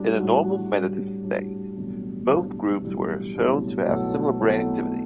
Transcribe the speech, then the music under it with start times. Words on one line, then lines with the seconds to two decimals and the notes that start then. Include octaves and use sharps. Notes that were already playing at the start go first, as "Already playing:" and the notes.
In a normal meditative state, both groups were shown to have similar brain activity.
Already playing: A2 G3 D4 F#4
0.18 A2 G3 D4 F#4
0.71 A2 G3 D4 F#4
1.23 A2 G3 D4 F#4
1.76 B1 A2 E3 G3 D4
2.29 B1 A2 E3 G3 D4
2.82 B1 A2 E3 G3 D4
3.35 B1 A2 E3 G3 D4
3.88 B1 B2 A3 E4 A4
4.41 B1 B2 A3 E4 A4